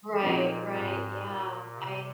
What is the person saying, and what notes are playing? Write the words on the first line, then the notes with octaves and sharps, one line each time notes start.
Right, right, yeah, I
A#2 F3 C4 D#4 G#4
G#2
A#2
C3